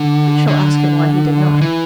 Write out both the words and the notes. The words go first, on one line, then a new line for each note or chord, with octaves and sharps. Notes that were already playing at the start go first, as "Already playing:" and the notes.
I shall ask him why he did not.
Already playing: D3
D3
E3